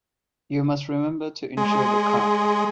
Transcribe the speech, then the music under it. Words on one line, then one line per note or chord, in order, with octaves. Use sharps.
You must remember to insure the car.
G#3